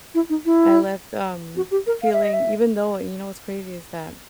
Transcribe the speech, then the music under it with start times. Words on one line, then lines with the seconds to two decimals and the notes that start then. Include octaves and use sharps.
I left, um, feeling even though you know what's crazy? Is that
0.14 E4
0.30 D#4
0.45 E4
1.56 F#4
1.71 G4
1.87 A#4
2.03 F5
2.13 E5
2.23 D#5
2.33 E5